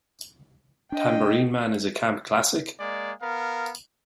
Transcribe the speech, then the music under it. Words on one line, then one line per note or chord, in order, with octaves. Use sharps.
Tambourine Man' is a camp classic?
D4 D#5 G5
G#3 A#3 D5
B3 A#4 F5